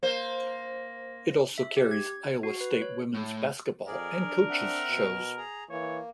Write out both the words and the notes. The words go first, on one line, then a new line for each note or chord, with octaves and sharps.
It also carries Iowa State women's basketball and coaches' shows.
A#3 C5
E5
G4
G#6
F#4
B4
C#5
A2
F2 G#4 A#4 D5
D4
C4 E5 F#5
B2
G#4 A#5
E3 A#3 C#5